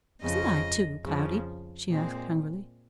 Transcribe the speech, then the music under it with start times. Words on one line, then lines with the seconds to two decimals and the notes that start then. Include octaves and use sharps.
"Wasn't I, too, Cloudy?" she asked hungrily.
0.21 F2 C#3 F3 D#5
1.04 F2 C#3 F3
1.88 A#2 G#3 C4